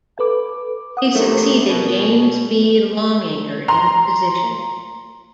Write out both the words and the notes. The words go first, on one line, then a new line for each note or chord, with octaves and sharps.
He succeeded James B. Longacre in the position.
A4 B4 D6
F#5 D#6
C3 A3 A#4
B2
A#5 C6